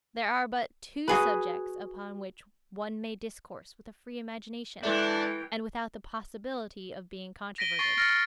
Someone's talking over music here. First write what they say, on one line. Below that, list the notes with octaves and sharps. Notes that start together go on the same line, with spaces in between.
There are but two subjects upon which one may discourse with a free imagination, and without the possibility of being controverted.
F#4 G#4 B4
E3 G#3 D4 A4 E5 G5
A#6 B6 D7 D#7 G7
C#6 A6 C7 G7
F6 A6 A#6 C#7 D7